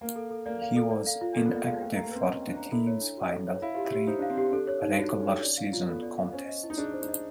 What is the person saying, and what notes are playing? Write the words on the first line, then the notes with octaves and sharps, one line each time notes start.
He was inactive for the team's final three regular season contests.
A#3 F5
A4
A4
A#3 D5
F5
A4
D5
F5
F4
A#3 A4
B3
A#3 D5
G#3 F5
A3 G5
A3 A#5
A#3
C4 B4
C#4 D#5
G5
D4
A#5
E4 A4
C#5
D4
F#4
A4
C#5
E4 F5
F4 G4
E4
G4
D#4 C5
D4 F5
C4
G4
D4 A4
C#5
D#4
D4 F#4
A4
C#4
C#5
D5
F5
F4
B3 A4
D5
F5
C#4 C5
D#5
E4
D#4
D4 G#4
C5
D#4
D#5